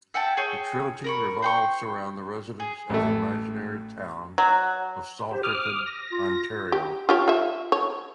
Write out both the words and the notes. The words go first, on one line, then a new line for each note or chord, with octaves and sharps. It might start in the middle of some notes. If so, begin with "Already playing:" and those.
The trilogy revolves around the residents of the imaginary town of Salterton, Ontario.
E5 F#5 G5 A5
G#4 C#5 G5
A#4 B5 C#6
C5 G5 C#6
G#4
A1 A3
F#3
G4 C5
D6 D#6 F6
A#6
F4
G4
F4 G4 C#5
F4 E5
C#5